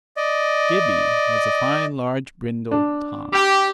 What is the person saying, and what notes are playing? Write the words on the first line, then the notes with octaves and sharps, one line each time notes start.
Gibbey was a fine, large, brindled Tom.
D5 D#5
D4
G4